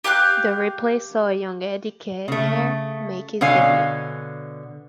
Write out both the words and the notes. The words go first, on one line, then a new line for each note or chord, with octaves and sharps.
The replay saw a young Eddie Keher make his debut.
G4 F5 G5 F#6
C#3 A3
B2 D3 C#5 F5 G#5